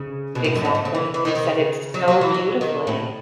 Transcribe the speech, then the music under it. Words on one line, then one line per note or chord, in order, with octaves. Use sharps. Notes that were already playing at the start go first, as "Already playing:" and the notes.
Exactly. You said it so beautifully.
Already playing: C#3
B2
A2
F#2
G#2
A2
C#3
E3
E3
D#3
D#3
C#3
F#3
F#3
E3
F#3
D#3
A2